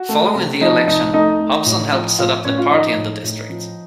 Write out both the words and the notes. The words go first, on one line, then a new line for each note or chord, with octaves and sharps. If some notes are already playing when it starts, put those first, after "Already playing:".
Following the election, Hobson helped set up the party in the District.
Already playing: F#4
A3
C3
F3 D#4 D#5
C2 D#4 D#5
A3 D#4 D#5
A3
A2
F3
A2 F4 F5
A2 C#4 C#5
F4 F5
F3 D#4 D#5
A2
A2
F3